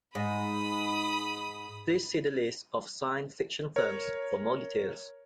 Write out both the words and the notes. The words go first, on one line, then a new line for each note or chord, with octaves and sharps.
Please see the list of science fiction films for more details.
G#2 B5 D#6
A#4 C#5